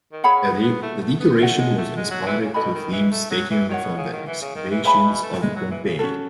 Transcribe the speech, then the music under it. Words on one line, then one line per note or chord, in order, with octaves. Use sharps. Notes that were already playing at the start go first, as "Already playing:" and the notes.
The decoration was inspired to themes taken from the excavations of Pompeii.
D#3
C#3 G#4 C#5 F#5 B5
C#4
B3
B3
A3
A3
B3
A3 A4 C#5 F#5
G#3
A3
G#3
F#3
E3
C#3
B2 A4 D#5 G#5 B5
D#3
E3
A3
F#3
E3
D#3 F#4 C#5 F#5
B2
C#3
D#3
E3
C#3
D#3
E3
C#3 B4 E5 G#5 B5
B2
A3
G#3
F#3
E3
C#3
C#4 F#4 A4